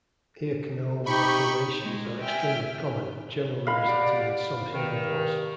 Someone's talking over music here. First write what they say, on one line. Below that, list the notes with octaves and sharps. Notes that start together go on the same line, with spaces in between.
Ear canal malformations are extremely common, generally resulting in some hearing loss.
D#4 G4 B5 C#6
G#3
E5 G5 G#5 F6
G#3 F5 B5
F#4 G4 D5
G2 C3 D#3